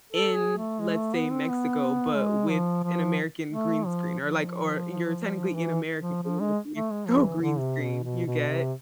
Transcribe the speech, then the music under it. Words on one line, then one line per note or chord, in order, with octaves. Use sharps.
in, let's say, Mexico, but with an American green screen, or, like, or you're technically in America, like, a Mexico green screen, you get?
A4
G#4
A3
G#3
A3
B3
C4
B3
G#3
F3
F3
A3
F3
F3
E3
F3
F3
G#3
A3
G#3
F3
E3
D3
C3
B2
B2
B2
C3